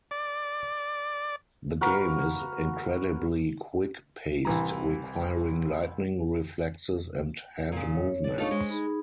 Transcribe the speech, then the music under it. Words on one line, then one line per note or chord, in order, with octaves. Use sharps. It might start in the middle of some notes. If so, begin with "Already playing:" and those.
The game is incredibly quick paced, requiring lightning reflexes and hand movements.
D5
F#4 A#4 B4 F5
C2 E3 A#5
A#2 C#3
C#5
D5
A3 D4 D#4 F4 C#5 C#6
G#3 C5
D#4 G#4 B5